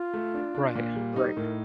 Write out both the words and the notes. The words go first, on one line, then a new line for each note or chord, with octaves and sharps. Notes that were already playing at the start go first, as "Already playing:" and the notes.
Right, right.
Already playing: F4
A3
D4
D4
A#2
G3
D#4 G4
A2 A#4